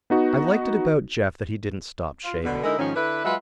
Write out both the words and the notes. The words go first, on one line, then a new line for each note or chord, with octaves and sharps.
I liked it about Jeff that he didn't stop shaving.
B3 D#4 F#4
F4
B2 D3 B3
D3 G#3 D#4 E4 A#4
G#2 D#3 F3 C#4
D3 D4 E4 B4
F#3 G#3 F4 B4 E5 F#5